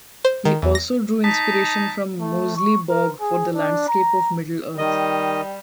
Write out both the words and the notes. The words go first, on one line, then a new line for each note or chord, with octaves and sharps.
He also drew inspiration from Moseley Bog for the landscape of Middle-earth.
C5
D#3
E2
A#6
D#4 A5 B6
A3
C#6
A#4
G#4
D4
A#5
D#3 G3 D#5